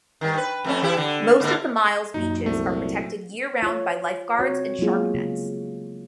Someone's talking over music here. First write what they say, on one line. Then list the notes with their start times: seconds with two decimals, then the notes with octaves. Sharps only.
Most of the Mile's beaches are protected year-round by lifeguards and shark nets.
0.21 G2 D#3
0.37 B4
0.64 F2 A3 C#4
0.82 E3 E4 G4
0.97 D3
1.40 G#2 D3 A#3
2.14 F#2 A#2 F#3 D#4
2.46 C2 A3
3.63 F4 C#5
4.39 C4 F#4 C#5
4.79 F#3 G#3 A#3 B3 F4 G#4
5.14 C#3